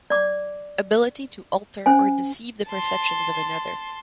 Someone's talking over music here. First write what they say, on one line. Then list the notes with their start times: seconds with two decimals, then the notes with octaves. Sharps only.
Ability to alter or deceive the perceptions of another.
0.10 D5 D6
1.86 C#4 C5 G#5
2.68 A5 C6